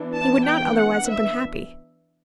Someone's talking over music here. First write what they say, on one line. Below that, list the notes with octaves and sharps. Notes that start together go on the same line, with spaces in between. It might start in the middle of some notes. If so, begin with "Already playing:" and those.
He would not otherwise have been happy.
Already playing: E3 B3 D4
A5
G5
F#5
E5